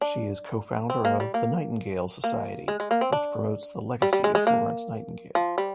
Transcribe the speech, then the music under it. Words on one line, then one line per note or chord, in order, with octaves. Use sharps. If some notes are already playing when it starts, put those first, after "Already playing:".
She is co-founder of "The Nightingale Society" which promotes the legacy of Florence Nightingale.
D4
C4
A#3
G3
A#3
A#3
G#3
G#3
A#3
C4
D4
G3
G3
G#3
G#3
A#3
F3
G3